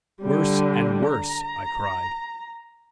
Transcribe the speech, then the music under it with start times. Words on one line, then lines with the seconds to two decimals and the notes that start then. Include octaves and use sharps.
"Worse and worse!" I cried.
0.21 D3 G3
1.09 A#5